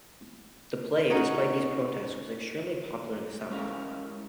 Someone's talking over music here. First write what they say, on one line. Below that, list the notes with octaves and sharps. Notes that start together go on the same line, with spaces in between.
The play, despite these protests, was extremely popular in the South.
C#4 D#4 F#4 C#5
G#3 C#4 E4 G4 A#4 F5